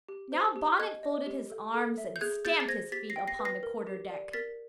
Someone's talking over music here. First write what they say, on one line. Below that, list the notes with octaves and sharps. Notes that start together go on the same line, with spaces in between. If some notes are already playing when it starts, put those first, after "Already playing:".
Now Bonnet folded his arms and stamped his feet upon the quarter-deck.
G4
C5
G4
D#5 F#6 G#6
D#5
G4
A4
A4
E5
G6
G#4 F#6 G#6
G#4 G6 A6
A6
C5 G#6 A#6
G4 A6 B6
A#6 C7
G5
A#6 C7
B4
A#6 C7
A#4
G4
D5
A#4 A6 B6